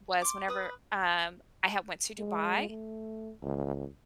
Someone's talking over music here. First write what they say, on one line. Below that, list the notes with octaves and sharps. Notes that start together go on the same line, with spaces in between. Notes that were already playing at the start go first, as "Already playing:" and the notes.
was whenever um, I had went to Dubai,
C6 D6
B4 D#6
G#3
A3
C#2